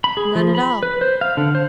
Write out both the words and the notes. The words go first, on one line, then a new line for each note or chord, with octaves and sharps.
"None at all."
B5
G#4
F3
B5
B4
C5
F5
D3
C5